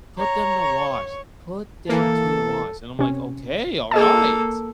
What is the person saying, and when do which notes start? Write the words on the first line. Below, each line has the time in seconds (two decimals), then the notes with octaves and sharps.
"Put them to wash, put them to wash." And I'm, like, "Okay, all right."
0.18 C#5 A#5
1.89 E3 A#3 A4
2.99 C3 C#4
3.91 A#3 G#4 A4 D#5 A5